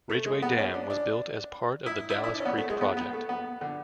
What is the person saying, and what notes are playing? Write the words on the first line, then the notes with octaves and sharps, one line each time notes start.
Ridgway Dam was built as part of the Dallas Creek Project.
A3
G#3
B3
C#4
D4
D4
E4
E4
D4
E4
D4
C#4
B3
A3
G#3
B3
B3
A3
B3
D3